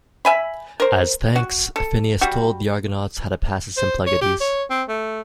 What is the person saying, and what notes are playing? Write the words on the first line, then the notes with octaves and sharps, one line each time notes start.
As thanks, Phineas told the Argonauts how to pass the Symplegades.
E5 G#5 B5
A#4 C5
F#4
A4
G3 F#4
C5
C#5
G4
C#5
C4
A3